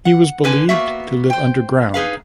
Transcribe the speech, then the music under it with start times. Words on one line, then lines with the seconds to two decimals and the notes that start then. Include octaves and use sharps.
He was believed to live underground.
0.05 F#5
0.44 D3 B4 G#5
0.69 A#3 B3 F#4 E5
1.30 C5 G5
1.94 D#4 G#4 B4 F5